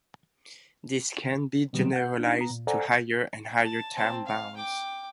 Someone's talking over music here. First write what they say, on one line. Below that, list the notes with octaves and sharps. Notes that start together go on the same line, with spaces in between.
This can be generalized to higher and higher time bounds.
B2 D#3 F#3 G3 B3
F#5 G6
D4 D#4
B3 A#5
A#2
A4 C5 D5 F#5 G#5 A#5
A5
C4 A5
F5
G5 D6